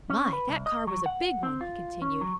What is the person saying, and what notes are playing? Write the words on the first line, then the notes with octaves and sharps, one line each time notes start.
"My, that car was a big one," he continued.
C#4
B4
C2
D#5
F#3
F#5
C4
F4
C#4
F#3